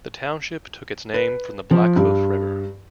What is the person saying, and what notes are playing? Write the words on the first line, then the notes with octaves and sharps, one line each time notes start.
The township took its name from the Blackhoof River.
B4
F3
G2